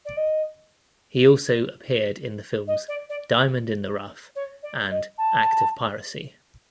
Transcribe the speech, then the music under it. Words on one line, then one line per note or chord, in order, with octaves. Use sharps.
He also appeared in the films "Diamond in the Rough" and "Act of Piracy".
D5
D#5
D#5
D5
D5
C#5
D5
D#5
A5